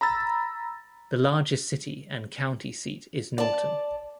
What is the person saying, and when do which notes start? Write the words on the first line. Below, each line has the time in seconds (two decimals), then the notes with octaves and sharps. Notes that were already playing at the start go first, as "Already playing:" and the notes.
The largest city and county seat is Norton.
0.01 A#5 B5 E6 A6
3.38 D5 A5